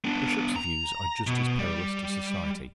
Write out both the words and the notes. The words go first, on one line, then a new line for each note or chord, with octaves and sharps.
The Bishop's views are just as perilous to society.
B3 D4
A#5
B2
G3